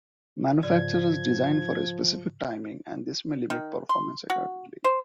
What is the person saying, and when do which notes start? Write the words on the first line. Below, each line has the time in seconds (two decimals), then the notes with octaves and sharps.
Manufacturers design for a specific timing and this may limit performance accordingly.
0.63 G#2 C#3 F3 D5 G#6
3.50 D#3
3.89 C6
4.30 F#4
4.84 C5